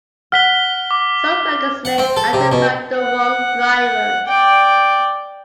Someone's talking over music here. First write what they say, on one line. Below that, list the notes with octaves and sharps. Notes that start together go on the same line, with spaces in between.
Some records may identify the wrong driver.
F#5 F6 B6 G7
D6
F#5
C4
A4
C3
B2
F#5
D5 G5